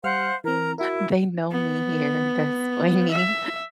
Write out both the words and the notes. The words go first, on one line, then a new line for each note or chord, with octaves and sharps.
They know me here, that's funny.
G3 C5 F5 F#5 F6
E3 C4 A#4 A#5
E4 F#4 A#4
B3
E5